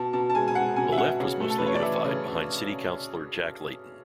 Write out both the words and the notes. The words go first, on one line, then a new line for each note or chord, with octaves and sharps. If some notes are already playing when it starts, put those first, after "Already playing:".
The left was mostly unified behind city councillor Jack Layton.
Already playing: B2 A5
B2 A5
A5
G#3 G#5
G#5
G#3 F#5
B2 G#5
E5
B2 F#5
C#3
A3
A4
B4
C#3
C#5
D5
E3 E5
C#3